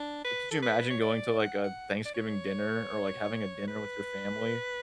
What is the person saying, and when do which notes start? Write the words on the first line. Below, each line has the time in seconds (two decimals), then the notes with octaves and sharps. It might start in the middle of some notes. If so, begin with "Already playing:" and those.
oh could you imagine going to, like, a Thanksgiving dinner or, like, having a dinner with your family
Already playing: D4
0.24 B4
0.51 A4
0.62 B4
0.90 C#5
1.01 D5
1.39 F#5
1.64 F#5
2.05 D5
2.14 C#5
3.68 B4